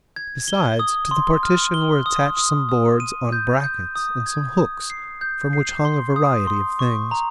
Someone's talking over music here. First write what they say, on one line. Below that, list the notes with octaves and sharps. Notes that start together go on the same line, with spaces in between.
Besides, to the partition were attached some boards on brackets and some hooks, from which hung a variety of things.
G#6
G7
D#6
C6
F6
G7
D#6
D#6
D#6
D#7
G6
G6
D#6
G#6
D#6
C7
G6
C7
C6
D#6
C6
C#6
A#5